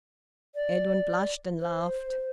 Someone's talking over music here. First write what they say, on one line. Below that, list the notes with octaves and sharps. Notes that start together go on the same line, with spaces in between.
Edwin blushed and laughed.
D5
C5